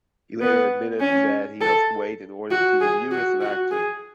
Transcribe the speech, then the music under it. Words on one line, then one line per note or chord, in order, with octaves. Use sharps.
He later admitted that he lost weight in order to debut as an actor.
B3
C#4
A4
F#4
G#4
F#4
F#4
G#4